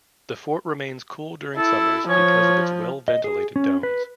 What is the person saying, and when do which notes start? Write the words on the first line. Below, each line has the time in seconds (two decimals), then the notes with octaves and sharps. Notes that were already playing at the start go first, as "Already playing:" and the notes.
The fort remains cool during summers because of its well ventilated domes.
1.57 E4 A4
2.09 F3 C#5
3.08 D#5
3.24 G#4
3.56 C#4
3.83 B4